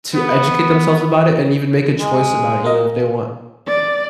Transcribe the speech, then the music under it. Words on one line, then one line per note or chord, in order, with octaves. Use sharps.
to educate themselves about it and even make a choice about it, you know, if they want
B3
G#3
A#3 A#4 D#5
D5